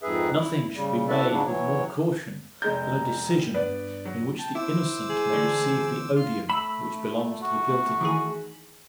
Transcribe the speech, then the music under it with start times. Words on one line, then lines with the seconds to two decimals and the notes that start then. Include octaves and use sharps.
Nothing should be made with more caution than a decision in which the innocent may receive the odium which belongs to the guilty.
0.02 F2 G#2 G#4 B4 E5
0.36 E4
0.75 C#3 G3
1.08 E4 F#4 A4 B4 D5 E5
1.29 G#2 C#3 F#3 D4
1.47 E3 F#3 C#5
2.62 F1 G#3 A#5 G6
3.54 G2 B3 B4 D5
4.05 F#3
4.39 G5 A5
4.55 E4 C5 D6 E6
5.10 G#4
5.32 E2 D3 A3
6.16 F4 C6 F6
6.50 A3 B5 E6
7.42 F#4
8.01 D#3 E3 G#4